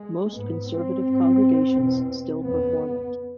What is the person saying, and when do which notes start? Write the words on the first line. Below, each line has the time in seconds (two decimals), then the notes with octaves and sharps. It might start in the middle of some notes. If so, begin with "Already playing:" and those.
Most Conservative congregations still perform it.
Already playing: G#3
0.36 G#2 B3
0.70 C4
1.05 G#2
1.73 E2 B2
2.41 F2 C#3 B3